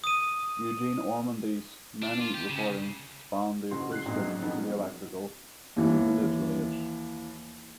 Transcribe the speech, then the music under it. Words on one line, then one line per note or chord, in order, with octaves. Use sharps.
Eugene Ormandy's many recordings spanned the acoustic to the electrical to the digital age.
D#6 D#7
D4
F4
G4
C#3
F#1 C#3 F#4 C6
F#6 C7
A#1 F2 G#2 F#3
F2 D#3 F3 F#3 B3 C#4
D#2 E3